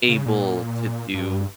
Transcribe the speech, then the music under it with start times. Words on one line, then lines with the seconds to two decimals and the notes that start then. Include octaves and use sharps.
able to do
0.08 C#3
0.26 A#2
1.14 G2